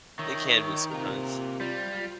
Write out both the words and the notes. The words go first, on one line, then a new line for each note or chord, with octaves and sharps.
It can be sometimes.
D#3 C#5 E5
C3 F4 A#4
G3 F4